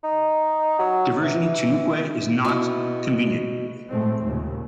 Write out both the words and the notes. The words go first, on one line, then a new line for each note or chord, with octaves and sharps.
Diversion to Newquay is not convenient.
D#4
F#3
E3
B2 E4
A2 G#3 A3 C4
D#2 A#2 C#3